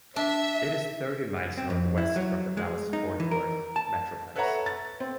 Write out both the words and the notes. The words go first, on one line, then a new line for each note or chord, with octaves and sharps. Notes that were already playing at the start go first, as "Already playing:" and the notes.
It is thirty miles northwest from the Dallas-Fort Worth metroplex.
D4 E5
C4
F2
E4
F#3
G#3
D#4
E3
A#4
A5
A4 B4 C#5 E5 F#5 A#5
A6
C4